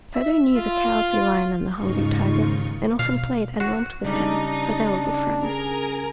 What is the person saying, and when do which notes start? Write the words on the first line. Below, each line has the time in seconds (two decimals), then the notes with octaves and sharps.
Toto knew the Cowardly Lion and the Hungry Tiger and often played and romped with them, for they were good friends.
0.14 E5
0.56 F4
1.73 D#2 G#2 C#3 D#4 F4 C#6
2.99 B2 F5
3.60 F#4
4.04 C#3 G3 D4 D#4
5.43 G#4 A#4 G#5